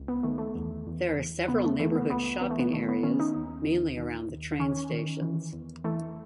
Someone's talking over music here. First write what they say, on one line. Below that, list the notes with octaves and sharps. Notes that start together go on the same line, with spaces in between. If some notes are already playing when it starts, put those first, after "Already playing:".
There are several neighbourhood shopping areas, mainly around the train stations.
Already playing: C#2
B3
D#3 A3
A3
E2
E2
E2
C#3 B3
A3
E3 A3
B3
C#2 B3
E3 B3
A3
B3
D#3 A3
B3
D#3 C#4
D#4
D#2
D#2
D#3
D#2
D#3 C#4
D#3
E3
E2
E3 A3